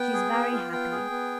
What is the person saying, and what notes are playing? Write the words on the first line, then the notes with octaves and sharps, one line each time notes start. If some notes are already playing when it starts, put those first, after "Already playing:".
She's very happy.
Already playing: B3 G5
G#4
B3
F4
B3 G5
G#4
B3